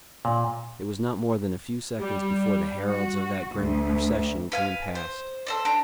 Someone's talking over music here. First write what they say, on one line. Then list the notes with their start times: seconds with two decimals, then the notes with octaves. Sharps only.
It was not more than a few seconds before the heralds of that grim procession came past.
0.25 A#2
1.99 G3
2.89 F#4
3.53 D2
4.52 B4 F5 G#5
4.95 C5
5.47 A4 C5 D5
5.65 D4 A#5